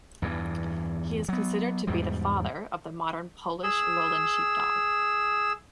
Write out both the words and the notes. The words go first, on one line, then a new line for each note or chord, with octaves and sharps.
He is considered to be the 'father' of the modern Polish Lowland Sheepdog.
E2 G2 E3
F#3 B3
E2 G#2 B2 G3
G#4 E6